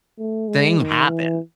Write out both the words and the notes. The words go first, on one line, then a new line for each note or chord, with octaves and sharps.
thing happen.
A3
G#3
D#3
E3